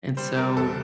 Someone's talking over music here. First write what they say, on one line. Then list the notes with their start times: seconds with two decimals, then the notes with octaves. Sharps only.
And so,
0.17 G3 C5
0.37 G3 A#4
0.56 E2 A4